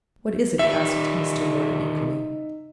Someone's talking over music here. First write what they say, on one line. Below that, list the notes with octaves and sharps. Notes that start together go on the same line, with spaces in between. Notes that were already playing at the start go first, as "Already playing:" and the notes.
"What is it?" asked Mr. Lorry, eagerly.
D#3 G3 D#4 E5